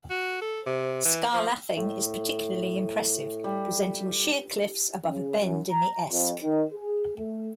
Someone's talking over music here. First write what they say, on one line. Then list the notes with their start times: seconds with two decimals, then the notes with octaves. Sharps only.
Scar Lathing is particularly impressive, presenting sheer cliffs above a bend in the Esk.
0.10 F#4
0.41 A4
0.66 C3
1.05 E3
1.33 F3
1.77 A2
3.44 G3
5.06 C#3
5.40 F#2
5.70 A#5
6.12 F2
6.43 D#3
6.74 G#4
7.17 A3